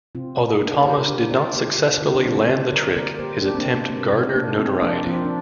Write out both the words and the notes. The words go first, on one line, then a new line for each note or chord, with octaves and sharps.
Although Thomas did not successfully land the trick, his attempt garnered notoriety.
C3 C4 F4
C3
A#3 D4
A#4 D5
A#3 G4 C5
F4 A#4
D3 D4 G4
D3 A#4 D5
A#3 G4 C5
D3
D3 F4 A#4
D4 G4
G3 C4 F4
C4
D3 G4 C5
D3 A#4 D5
A#3 A#4 D5
A#3 G4 C5
A#3 D4 G4
C4
A#3 D4
C3
A#3
A#3
C3
A#3 D4
A#3 C4
F3 A#3 D4
F3 C4 F4
D4